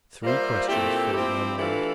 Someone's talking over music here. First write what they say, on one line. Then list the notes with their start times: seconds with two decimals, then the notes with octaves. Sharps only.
Three questions filled my mind.
0.23 G3 A#3 F4 C5 E5
0.68 A#2 A3 C4 E4 G4
1.13 F3 C4 E4 G4
1.58 E3 A3 D4 F4 A4